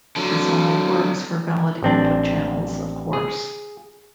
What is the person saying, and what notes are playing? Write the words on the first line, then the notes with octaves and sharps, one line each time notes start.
This only works for valid input channels, of course.
D3 F#3
A1 C4 D4
G#4